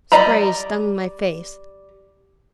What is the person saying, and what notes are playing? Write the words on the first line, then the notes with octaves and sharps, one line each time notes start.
Spray stung my face.
G3 D5 D#5 A#5 B5